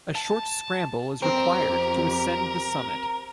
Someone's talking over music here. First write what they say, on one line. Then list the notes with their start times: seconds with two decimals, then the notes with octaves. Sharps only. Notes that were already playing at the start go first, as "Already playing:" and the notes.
A short scramble is required to ascend the summit.
0.15 A5
1.22 F2 C4 G4 A#4